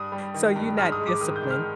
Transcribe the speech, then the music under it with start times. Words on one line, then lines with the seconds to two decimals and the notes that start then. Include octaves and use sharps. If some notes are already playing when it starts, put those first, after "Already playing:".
So you're not disciplined.
Already playing: G2 D#6
0.12 G3
0.34 D#3
0.56 G2
0.78 G#2 F6
0.92 D#6
1.00 G#3
1.07 D6
1.21 D#3 D#6
1.36 G6
1.43 G#2
1.50 F6